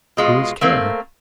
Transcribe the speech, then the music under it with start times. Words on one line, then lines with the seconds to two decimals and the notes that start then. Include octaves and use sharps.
"Whose care?"
0.17 B2 G#3 F4
0.61 A3 A#3 C4